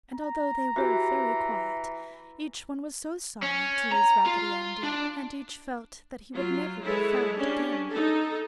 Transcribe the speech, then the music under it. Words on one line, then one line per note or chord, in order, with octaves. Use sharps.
And although they were very quiet, each one was so sorry to lose Raggedy Andy, and each felt that he would never be found again.
A#5
E3 F#4 G4 E5
C#4
A#5
F4
D4
F#3 F4
G#3 E4 G#4 A4 B4 C#5
C#4 D4 G4
D#4 A4